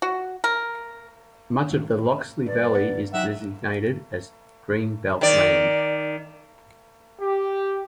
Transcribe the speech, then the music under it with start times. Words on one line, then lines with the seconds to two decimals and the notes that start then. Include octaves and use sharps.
Much of the Loxley Valley is designated as Green Belt land.
0.02 F#4
0.44 A#4
2.46 G2 B4 D5
2.73 B3 F#5
3.14 F#3 D#4 E5 F#5 G5
5.21 D#3 D5
7.20 G4